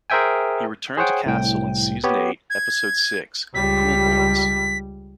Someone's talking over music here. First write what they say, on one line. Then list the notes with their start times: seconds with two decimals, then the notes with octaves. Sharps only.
He returned to Castle in season eight, episode six "Cool Boys".
0.10 G#4 A#4 C5 E5 G5 G#5
0.97 G#4 C5 C#5 F#5 G5
1.26 C2 A2 G5
2.04 B3 G4 C#5
2.50 G#6
3.55 C#2 G3 B6